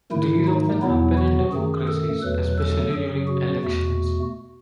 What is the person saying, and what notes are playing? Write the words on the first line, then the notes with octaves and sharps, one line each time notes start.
These often happen in democracies, especially during elections.
G#2 D#3 A3 E4
D#4
E2 B2 F#3 B3 E4
F#4
F#2 D#3 A3 G#4
A4
E2 B2 F#3 A3 B4
A4
F#2 C#3 F#3 G#4
F#4
E2 B2 A3